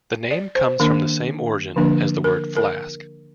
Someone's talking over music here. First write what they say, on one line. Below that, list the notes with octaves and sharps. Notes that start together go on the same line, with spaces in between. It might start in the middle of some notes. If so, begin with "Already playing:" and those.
The name comes from the same origin as the word "flask".
D5
C5
D#3 A#3 D4 A#4
D3 F3 A#3 D4
A#4
A#4